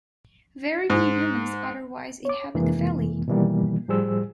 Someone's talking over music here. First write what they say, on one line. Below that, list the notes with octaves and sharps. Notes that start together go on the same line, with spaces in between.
Very few humans otherwise inhabit the valley.
G#2
C#5 D6
F2 C3 E3 G#3 A#3
B2 D#3 E3 G3 A#3
A2 F3 G3 G#4 C5 E6